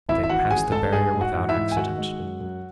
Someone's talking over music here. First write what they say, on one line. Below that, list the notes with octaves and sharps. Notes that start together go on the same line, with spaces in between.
They passed the barrier without accident.
G#1 E4 E5
E5
E3 F#4 F#5
G#1 G#4 G#5
G#2 A4 A5
G#2 G#4 G#5
G#2
F#4 F#5
E3
E4 E5
G#2
G#5
D#3 F#4 F#5
G#3
F#2
F#2